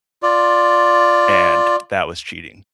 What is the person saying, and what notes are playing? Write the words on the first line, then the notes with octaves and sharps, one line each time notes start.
and that was cheating.
F4 D5